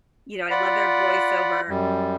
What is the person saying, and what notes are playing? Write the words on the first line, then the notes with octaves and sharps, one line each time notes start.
you know, "I love their voiceover,"
F4 D5 F#5 B5
F#2 G3